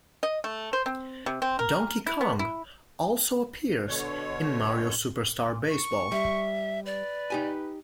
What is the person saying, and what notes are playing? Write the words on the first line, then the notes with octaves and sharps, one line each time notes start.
Donkey Kong also appears in "Mario Superstar Baseball".
D#5
A3
C5
C4
C3
C4
A#4
E4
B3
E4
B2 D3 C#5
C#6
G3 E5
B4 D5
D#4 G4 G#5